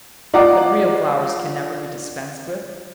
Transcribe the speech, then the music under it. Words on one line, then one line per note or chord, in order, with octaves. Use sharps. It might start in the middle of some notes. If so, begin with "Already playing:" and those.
But real flowers can never be dispensed with.
F4 D5 D#5 F#5 A#5 D6